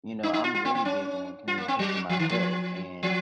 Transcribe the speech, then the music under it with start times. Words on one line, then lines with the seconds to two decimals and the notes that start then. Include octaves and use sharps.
You know, I'm really big on communication myself and,
0.23 D#4
0.33 D#4
0.44 F4
0.55 F4
0.65 C4
0.75 C4
0.85 C#4
1.48 F4
1.58 A#3
1.68 C4
1.79 F#3
2.10 F3
2.19 D#3
2.31 F3
3.03 F3